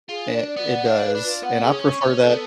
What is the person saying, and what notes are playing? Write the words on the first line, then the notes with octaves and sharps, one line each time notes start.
It it does, and I prefer that.
F4 G#4
D4 D5
D5
B3
F#5
D4 F5
B4
D4
F4
B3 F#5
G#4
C#4
C#6
C#4 D5
A4
B3